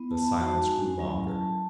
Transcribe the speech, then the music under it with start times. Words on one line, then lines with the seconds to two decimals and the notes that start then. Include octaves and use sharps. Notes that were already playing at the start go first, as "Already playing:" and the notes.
The silence grew longer.
Already playing: B3 E4
0.11 A5
0.25 B5
0.40 G#3 D#4 F#4 A5
0.69 G#5
0.84 G#5
0.99 F#3 C#4 E4 G#5
1.29 A5